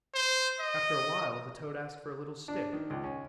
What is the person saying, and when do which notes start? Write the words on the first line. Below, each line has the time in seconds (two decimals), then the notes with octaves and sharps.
After a while the toad asked for a little stick.
0.14 C5
0.60 D#5
2.48 D4
2.73 D#3
2.90 C#2
3.04 C#4